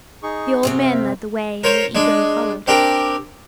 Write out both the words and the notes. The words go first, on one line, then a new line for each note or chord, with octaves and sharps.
The old man led the way, and we eagerly followed.
D#4 G#4 C#6
F#2 C3 C4 F#4 G#4
E5 F5
A#4 C5 C#5
G#3 D4
C4 D4 G4 A#4